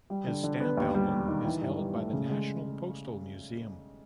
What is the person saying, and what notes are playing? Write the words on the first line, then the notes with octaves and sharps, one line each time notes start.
His stamp album is held by the National Postal Museum.
G3
D3
D3
B3
D#2
G3
E1
D#3
E3
G2
G2
A3
C#3
G#3